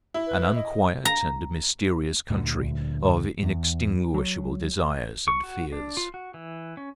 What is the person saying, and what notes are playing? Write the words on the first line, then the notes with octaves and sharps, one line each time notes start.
An unquiet and mysterious country of inextinguishable desires and fears.
E4
B4
D#5
A#5
D2 A#2 D3
E2
F#3
C#6
F#4
D4
F4
F#4
E3
C#4